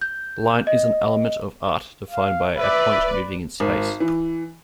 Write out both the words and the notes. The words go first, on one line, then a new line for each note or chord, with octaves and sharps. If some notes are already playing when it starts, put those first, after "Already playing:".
Line is an element of art defined by a point moving in space.
G6
D#5
F5
B4 D5 E5
G#1
E3